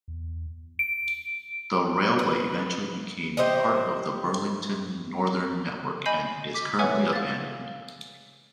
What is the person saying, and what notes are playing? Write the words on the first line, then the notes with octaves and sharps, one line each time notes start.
The railway eventually became part of the Burlington Northern network and is currently abandoned.
E2
D7
B4
G4 C5 D#5 E5
D#5 G#5 B5 G6 C7 D#7
D6 B6
B4 C#5 E5 F#5 G#5
F5 A6